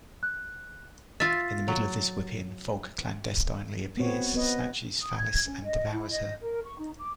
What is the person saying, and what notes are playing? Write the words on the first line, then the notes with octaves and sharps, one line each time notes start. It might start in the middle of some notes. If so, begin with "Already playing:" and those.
In the middle of this whipping, Thog clandestinely appears, snatches Thalis, and devours her.
F#6
F4 E5 A6
F#3
B3 C4 F#4 C#5
B3 B4 D#5
D#6
G#6
C#4
D#5
E4
D#5
A#4
C#6
D#4
D6